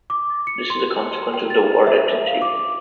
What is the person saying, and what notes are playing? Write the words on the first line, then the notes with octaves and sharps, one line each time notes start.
This is a consequence of the Ward identity.
D6
C#7
C6
G5
A6
E5
F5
D6